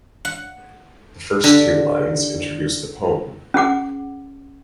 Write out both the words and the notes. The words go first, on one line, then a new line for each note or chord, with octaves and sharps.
The first two lines introduce the poem.
F#5
D3 G4
C#4 G#4 F#5 D6